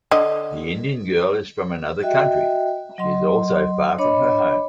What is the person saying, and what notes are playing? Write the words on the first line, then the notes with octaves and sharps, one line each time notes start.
The Indian girl is from another country. She is also far from her home.
D3 D#5
F#4 D#5 E5 G5
F#3 D#5 C6
D4 C#5 D#5 B5 D6